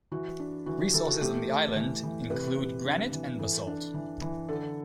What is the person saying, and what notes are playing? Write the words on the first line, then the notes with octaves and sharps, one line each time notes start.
Resources on the island include granite and basalt.
E3 F#4
D4
E3 F#4
G4
E3 A4
F#4
A3 G4
A3
E3
E3
C3 B4
C3
D4
E3
E3 A4
D4
E3
E3
D3 A4